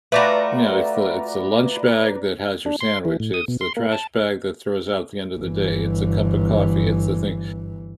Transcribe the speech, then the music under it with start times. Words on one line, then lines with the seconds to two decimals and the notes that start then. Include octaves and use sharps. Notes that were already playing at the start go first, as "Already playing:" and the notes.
You know, it's the, it's a lunch bag that has your sandwich, it's the trash bag that throws out at the end of the day, it's a cup of coffee, it's the thing,
0.12 A3 F4 F#4 B4 D5 A#5
2.66 D4
2.81 C6
3.05 E3
3.20 A2
3.34 D#6
3.48 B2
3.61 C6
3.77 A#3
3.92 A5
5.39 G1 E3